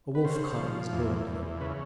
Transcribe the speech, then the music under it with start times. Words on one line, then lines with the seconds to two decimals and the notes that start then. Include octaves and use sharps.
A wolf cub is born to them.
0.15 B4
0.25 C#3 C5
0.58 F3
0.92 E2
1.27 E2
1.61 C#3 B4